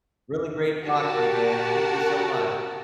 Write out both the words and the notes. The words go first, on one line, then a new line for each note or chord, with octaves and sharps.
Really great talking to you man, thank you so much.
F#4 G4 A#4 A5